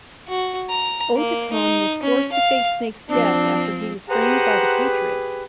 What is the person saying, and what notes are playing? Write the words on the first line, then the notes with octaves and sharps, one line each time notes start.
Otacon was forced to fake Snake's death after he was framed by the Patriots.
F#4
A#5
A#3
D#4
C#4
F5
F3 C4 D4
G4 G#4 B4 C5 F#5 A#5